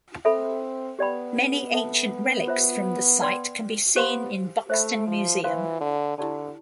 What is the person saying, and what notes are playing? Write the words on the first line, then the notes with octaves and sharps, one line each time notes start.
Many ancient relics from the site can be seen in Buxton Museum.
C4 A4 E5 B5
B3 G4 D5 G5 B5
A4 E5 A5
F4 C5 E5 B5
B4 D5 G5 C6
B3 G4 C5 F5 C6
A3 C5 E5 B5
F3
E3 C5 F5 C6
D3
D3 E4 G4 D5 A5